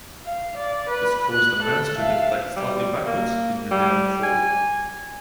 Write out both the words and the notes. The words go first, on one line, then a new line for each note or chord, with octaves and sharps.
This caused the mast to deflect slightly backwards then rebound forward.
F5
D5
B4
F#6
A4
E5 F5
G3
A#3
G3
G#5